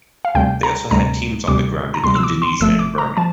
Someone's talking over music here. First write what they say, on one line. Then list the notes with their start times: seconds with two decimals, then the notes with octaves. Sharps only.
They also had teams on the ground in Indonesia and Burma.
0.25 F5
0.35 D2 C3 G3 G5
0.63 A#5
0.91 D2 C3 G3 A#5
1.48 D2 C3 G3 D6
1.94 A#5
2.04 D2 C3 G3 C6
2.15 E6
2.23 D6
2.42 C6
2.60 G1 G2 F3 A3 E6
2.79 D6
2.98 A#5
3.17 F3 A5